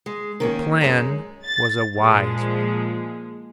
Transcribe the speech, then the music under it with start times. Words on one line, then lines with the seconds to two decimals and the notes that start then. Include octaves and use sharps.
The plan was a wise one.
0.06 G#3
0.40 D#3 A#3 C#4
0.81 F#2 G#3
1.46 A6
1.97 A#2 F3 G#3